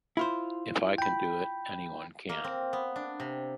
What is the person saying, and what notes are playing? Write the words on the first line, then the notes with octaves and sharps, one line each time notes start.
If I can do it, anyone can.
E4 F4 C5
G5 B5
A#3
C4
B3
D4
C3